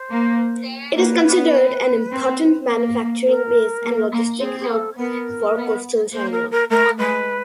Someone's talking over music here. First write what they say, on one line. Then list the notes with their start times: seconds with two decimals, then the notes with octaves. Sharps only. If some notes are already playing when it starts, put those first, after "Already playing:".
It is considered an important manufacturing base and logistics hub for coastal China.
Already playing: C5
0.10 A#3
0.96 A#3 C5
1.02 B4
1.25 B3
2.12 C4
2.69 A#3
3.26 A#4
3.82 A#3
4.12 A#3
4.40 C4 G#4
4.59 G#4
4.69 A4
4.97 B3 A#4
5.55 B3
6.12 A#3 C5
6.32 A#4
6.51 A#4
6.70 A3 A#4
6.98 G#3 B4